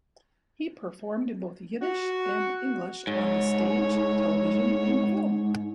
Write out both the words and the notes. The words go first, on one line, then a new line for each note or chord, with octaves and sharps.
He performed in both Yiddish and English, on the stage, television, and film.
F#4
G#2 C#5